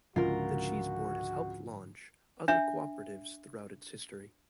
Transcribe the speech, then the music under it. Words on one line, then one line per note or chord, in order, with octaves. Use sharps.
The Cheese Board has helped launch other cooperatives throughout its history.
C#2 G#2 D3 F3 F4 F#4 A#4
D4 E5